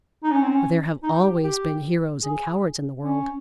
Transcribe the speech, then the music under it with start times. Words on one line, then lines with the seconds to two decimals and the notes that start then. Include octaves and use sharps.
For there have always been heroes and cowards in the world.
0.23 D#4
0.32 C#4
0.42 C4
0.51 C#4
1.03 D#4
1.23 G4
1.44 G4
2.23 G#4
3.04 C#4